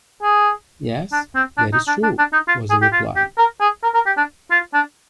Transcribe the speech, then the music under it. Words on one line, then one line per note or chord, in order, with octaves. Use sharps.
"Yes, that is true," was the reply.
G#4
D4
C4
D4
D#4
D4
D4
D4
D#4
F4
G#4
G4
F4
G4
A#4
G#4
A#4
A#4
G4
D4
F4
D4